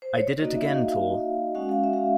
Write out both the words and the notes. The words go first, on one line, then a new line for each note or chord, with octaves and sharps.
I Did It Again Tour.
C5
C#5
D5
A#3 D#4 F#4 D#5
E5
F5
G#3 C#4 F#4 F#5
F5
E5
F5
E5